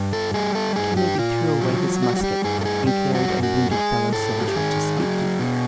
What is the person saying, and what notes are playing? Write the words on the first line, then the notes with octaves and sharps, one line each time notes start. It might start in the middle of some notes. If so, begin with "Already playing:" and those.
Kennedy threw away his musket, and carried a wounded fellow-soldier to safety.
Already playing: G2
A4
G3 G#4
A4
G2 G#4
G4
A#2 F4
F#3
G3 F#4
F#4
G4
G2 G#4
A4
G#4
G3 G4
F#4
F#2
F#4
G#3 G#4
G#2 A4
F#4
G4
D#3 G#4
F#3
B2